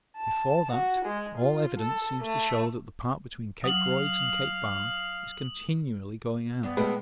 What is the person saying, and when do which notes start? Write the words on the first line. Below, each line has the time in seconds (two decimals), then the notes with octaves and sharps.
Before that, all evidence seems to show that the part between Cape Royds and Cape Barne is continually going out.
0.17 A5
0.72 F#4
1.05 G#3
1.37 F4
1.80 A4
2.21 A3
3.64 F#3 F5 D#6 F#7
6.63 G2 B3
6.77 A2 G#3 A3 B4